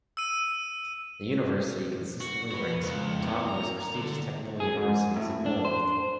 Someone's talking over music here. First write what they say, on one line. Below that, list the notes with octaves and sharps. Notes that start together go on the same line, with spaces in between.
The University consistently ranks among the top most prestigious technical universities in Poland.
E6 D#7
F#4
F#4 B4
C#2
E2 A2
A#5
D3
G#4
G#2
A2
D4
C5